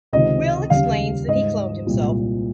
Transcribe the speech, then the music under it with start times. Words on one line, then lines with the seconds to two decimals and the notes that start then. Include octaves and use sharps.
Will explains that he cloned himself.
0.13 C#2 C3 D#3 D#5
0.70 D#2 C#3 G3 F5
1.28 G#2 G3 D#5
1.87 C2 A#2 G#3